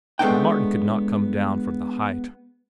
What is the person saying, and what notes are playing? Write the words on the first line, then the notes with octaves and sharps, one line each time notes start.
But Martin could not come down from the height.
G#3 A3 B3 D4 G5